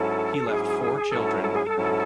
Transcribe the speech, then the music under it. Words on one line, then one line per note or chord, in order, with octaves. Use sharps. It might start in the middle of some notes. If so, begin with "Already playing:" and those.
He left four children behind.
Already playing: G#2 F#3 C#4 E4 A4
G#2 F#3 C#4 E4 G#4
G#2 F#3 C#4 E4 A4
A4
G#4
A4
G#2 F#3 C#4 E4